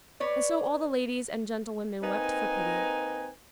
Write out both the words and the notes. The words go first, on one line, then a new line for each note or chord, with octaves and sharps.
And so all the ladies and gentlewomen wept for pity.
B4 C#5 D5
A#3 C4 D#4 B4 G#5 A#5